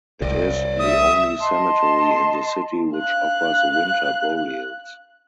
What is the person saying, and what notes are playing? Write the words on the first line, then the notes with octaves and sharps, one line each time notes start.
It is the only cemetery in the city which offers winter burials.
C2 D5 D#5
E5 D#6
D#5 A5 C6
F5 F#6